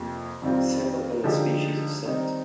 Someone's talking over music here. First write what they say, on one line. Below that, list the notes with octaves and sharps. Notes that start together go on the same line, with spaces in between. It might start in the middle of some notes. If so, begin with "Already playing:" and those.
Several other species of sect.
Already playing: F2 C3 F3 A#3
F2 D#3 G3 C4 F4
D3 F3 G#3 D#4 G4
D#3 G3 C4 D#4